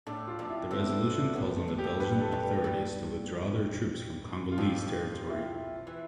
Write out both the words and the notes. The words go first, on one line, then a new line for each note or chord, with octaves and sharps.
The resolution calls on the Belgian authorities to withdraw their troops from Congolese territory.
A2 A3 D4
F4
F2 F3 D4
E4
D2 D3 C4
B3
C4
A2 B3
A3
D2 D3
G4
F2 F3
G2 G3 B4
A4
G2 G3
B4
G2 G3
F4
F2 F3 G4
F4
E4
F4
E3